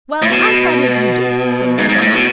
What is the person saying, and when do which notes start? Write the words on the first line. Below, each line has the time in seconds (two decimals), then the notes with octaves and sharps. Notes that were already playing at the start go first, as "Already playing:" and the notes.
"Well, I thought as you do," said Lestrade.
0.22 A2
0.30 B2
1.78 G#2
1.89 G#2
2.02 A2
2.14 B2